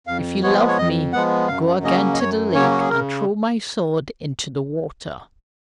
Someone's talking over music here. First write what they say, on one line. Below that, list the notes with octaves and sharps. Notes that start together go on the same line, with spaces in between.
"If you love me, go again to the lake, and throw my sword into the water."
F2 F5
F3 G#3 B3 C#5
C#5
F2 D#5
F3 G#3 B3 F#5
F#2 F5
C#3 F#3 A#3 C#4 D#5
D#5
F#2 C#5
C#3 F#3 A#3 C#4 C#5
F#4
G#4
C#3 A#4